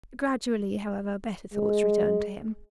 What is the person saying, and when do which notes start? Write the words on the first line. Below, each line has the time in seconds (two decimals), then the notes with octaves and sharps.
Gradually, however, better thoughts returned to him.
1.54 G#3